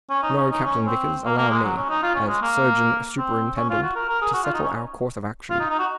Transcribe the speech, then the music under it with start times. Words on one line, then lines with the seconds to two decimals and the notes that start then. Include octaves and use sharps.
No, Captain Vickers, allow me, as surgeon-superintendent, to settle our course of action.
0.10 C#4
0.23 D#4
0.37 C#4
0.51 D#4
0.65 C#4
0.87 C4
1.25 A#3
1.38 A#3
1.50 G#3
1.63 F#3
1.77 C#4
1.90 D#4
2.03 F4
2.15 C#4
2.28 G#3
2.41 A#3
3.18 C4
3.57 C#4
3.70 F4
3.82 F#4
3.96 A#4
4.09 A#4
4.22 G#4
4.34 F#4
4.44 F4
4.54 D#4
4.63 C#4
5.50 F4
5.60 D#4
5.70 D#4
5.79 F#4